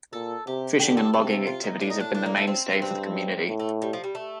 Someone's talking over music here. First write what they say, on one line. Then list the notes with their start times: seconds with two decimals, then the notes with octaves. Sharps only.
Fishing and logging activities have been the mainstay for the community.
0.13 A#2 A4
0.46 C3 G4
0.79 D3 G4
0.97 A4
1.13 C3 A4
1.47 F4
1.64 D#4
1.81 A2 D4
1.90 D#4
2.00 D4
2.15 D4
2.26 A#3
2.37 A3
2.47 C4
2.81 G2 C4
3.48 A2
3.60 A3
3.82 G3
3.93 F3
4.04 G3
4.15 A3